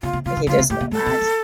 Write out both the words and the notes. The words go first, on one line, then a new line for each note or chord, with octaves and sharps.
but he just will not,
C3 F4
C3
C3 F4
D3
D3 F4
C3
A2 G4
B2
A2 A4
B2
G3